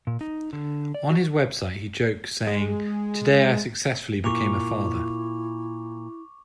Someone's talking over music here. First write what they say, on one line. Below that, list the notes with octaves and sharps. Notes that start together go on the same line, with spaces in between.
On his website he jokes saying, "Today I successfully became a father!"
A#2
D#4
D3
D5
F#4
G#3
A#2 E4 C#6 D6 F7